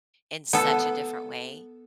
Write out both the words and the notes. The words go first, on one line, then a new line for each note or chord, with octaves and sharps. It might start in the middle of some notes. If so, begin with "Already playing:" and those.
in such a different way.
B3 A4